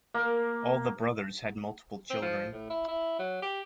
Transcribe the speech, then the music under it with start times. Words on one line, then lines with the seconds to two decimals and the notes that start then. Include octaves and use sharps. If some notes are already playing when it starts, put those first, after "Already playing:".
All the brothers had multiple children.
0.14 A#3
2.10 C4
2.22 F3
2.52 A2
2.70 E4
2.88 E4
3.19 F#3
3.42 G4